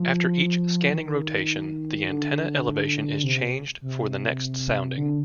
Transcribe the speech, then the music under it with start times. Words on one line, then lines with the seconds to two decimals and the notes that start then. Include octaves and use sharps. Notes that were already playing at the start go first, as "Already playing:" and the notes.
After each scanning rotation, the antenna elevation is changed for the next sounding.
Already playing: F3
0.91 D#3
2.08 D3
3.23 C3
3.82 C3
4.97 D3